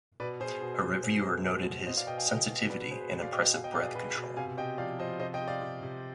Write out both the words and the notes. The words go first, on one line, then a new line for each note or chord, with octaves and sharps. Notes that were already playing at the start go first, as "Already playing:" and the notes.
A reviewer noted his "sensitivity and impressive breath control".
B2 B4 D5
B2 G#4 C5
B2
B2
B2 G#4 C5
B2
B2
B2
B2 C5 D#5
D5 F5
B2 D#5 G5
F5 G#5
B2 D#5 G5
B2
B2 B4 D5
B4
B2 G#4 C5
B4
B2
D5 F5
B2 D#5 G5
D#5 G5
B2 F5 G#5
D#5 G5
B2 D5 F5
G#4
B2 B4
B2
C3 F5 G#5
C3 D#5 G5
F3 D5 F5
F3 C5 D#5
C3 C5 D#5
D#5 G5
C3
D5 F5
C3
C3